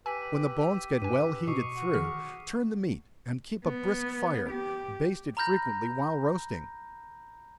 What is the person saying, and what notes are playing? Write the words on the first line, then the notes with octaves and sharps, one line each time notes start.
When the bones get well heated through, turn the meat, and keep a brisk fire--baste it frequently while roasting.
G4 B4 G#5 E6 B6 D#7
G2 B4 G#5 D6 D#7
B2 C#6 D#6 C7
F#4
D#3 G#4 F6
B3
G4
A#5 B5 F6 G6 A#6